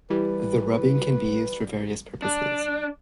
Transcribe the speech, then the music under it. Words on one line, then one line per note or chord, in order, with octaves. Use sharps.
The rubbing can be used for various purposes.
E3 G3 B4
D4